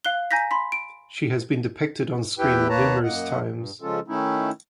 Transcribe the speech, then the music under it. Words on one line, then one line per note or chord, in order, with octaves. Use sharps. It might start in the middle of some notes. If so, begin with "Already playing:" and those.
She has been depicted on screen numerous times.
F5 F#6 G7
G#5 A#5 G6 A#6 B6
B5 C6 B6
D7
E2 E4 G4 B4 G5
D#2 A#3 B4 C#5 A5 A#5
F#2 A#3 D#5 F#5
G2
C#3 F3 G#3 C#4 F4 A4
D#3 A3 C#4 D#4 E4